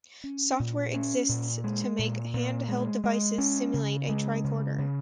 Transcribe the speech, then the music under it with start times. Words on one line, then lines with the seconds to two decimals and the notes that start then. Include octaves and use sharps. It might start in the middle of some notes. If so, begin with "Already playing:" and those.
Software exists to make hand-held devices simulate a tricorder.
0.24 C#4
0.59 A#2
0.94 C#4
1.29 A#2
1.64 G#3
1.99 A#2
2.34 A#2
2.68 G#3
3.04 G#3
3.38 C#4
3.74 C#3
4.09 G#3
4.44 C#3
4.78 C#3